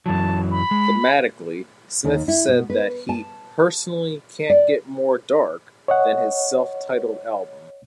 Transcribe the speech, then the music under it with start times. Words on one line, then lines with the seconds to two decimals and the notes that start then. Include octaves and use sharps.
Thematically, Smith said that he "personally can't get more dark" than his self-titled album.
0.06 F#2 E3 F#3 A5
0.51 B5
0.71 G#3
2.04 D#2
2.28 E4
2.49 B2
2.70 B4
3.09 A5
4.50 D5
5.88 C#5 D#5 F#5